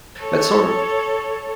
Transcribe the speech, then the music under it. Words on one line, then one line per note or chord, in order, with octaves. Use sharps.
that's sort of
A4 C#5